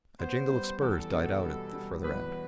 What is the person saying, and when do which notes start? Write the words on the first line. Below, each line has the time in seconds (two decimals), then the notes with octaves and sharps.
A jingle of spurs died out at the further end.
0.19 B3 C5
0.50 G3
0.81 E2 A4
1.12 B2
1.42 G3
1.73 G3
2.04 E2 B4